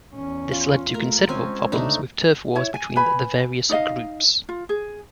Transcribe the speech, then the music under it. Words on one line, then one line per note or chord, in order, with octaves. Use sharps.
This led to considerable problems with turf wars between the various groups.
E2 C#4
F4
A3 A#4
G#3 C4 C#4 G#5
D2 C#3 A3 D4 D#4
E4 C#5
G#5
B4 G#5 B5
D#4 D5 D#5 F5
F4
G#4